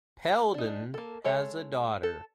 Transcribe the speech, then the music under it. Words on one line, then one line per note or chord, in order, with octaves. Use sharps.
Peldon has a daughter.
D4 D#4
A#3 A4
G#3 A4 C#5 E5
A4